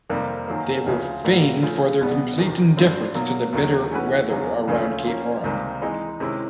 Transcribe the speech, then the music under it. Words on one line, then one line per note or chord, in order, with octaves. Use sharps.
They were famed for their complete indifference to the bitter weather around Cape Horn.
F2 C3 D#3 G3 A#3
F#2 D#3 F#3 A#3
D2 C#3 F3
A2 F3 A#3 D4 F#4
C#3 F3 A3
C2 B2 G3 B3
E2 C3 D#3
G2 D3 G3 C4
B2 F#3 A#3
D#2 D#3 F#3
E3 A3 C#4 F#4 B4
E2 C#3 F#3
D2 C#3 F3 A3 C#4
F3 A#3 C#4
C#2 C3 D#3 G3 A#3
E3 G#3 C4 D#4
C3 D#3 G#3 C#4 E4